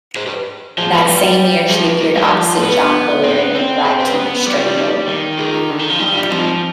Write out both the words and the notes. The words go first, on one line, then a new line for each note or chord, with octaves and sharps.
That same year she appeared opposite John Loder in The Brighton Strangler.
G#4 C5
G4 B4
F3 G#4 C5
F3 G4 B4
G3
F3 F4 G#4
F4 G#4
D#4 G4
G3 D#4 G4
F3
B3 G4 B4
C4 G#4 C5
B3
C4
G#4 C5
G4 B4
B3
B3
B3
G3 G4 B4
F4 G#4
D#4 G4
D#3
F4 G#4
D3
D#3
F3
G3 D#4 G4
D4 F4
F3 C4 D#4